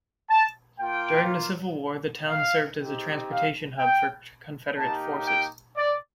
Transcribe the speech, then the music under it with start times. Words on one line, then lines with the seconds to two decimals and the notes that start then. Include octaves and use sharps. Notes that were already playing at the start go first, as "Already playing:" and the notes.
During the Civil War the town served as a transportation hub for Confederate forces.
0.30 A5
0.80 A#3 F4 G5
2.29 F5
2.79 C4 D#4 G4
3.29 F5
3.79 G5
4.78 A#3 D#4 G4 A5
5.27 G5
5.77 D5